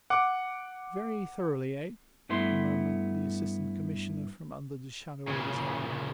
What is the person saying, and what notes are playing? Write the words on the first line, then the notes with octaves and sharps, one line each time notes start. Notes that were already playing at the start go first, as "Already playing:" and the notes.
"Very thoroughly--eh?" murmured the Assistant Commissioner from under the shadow of his hand.
F#5 D6
G2 A3 B3 E4 C6
A#2 C#3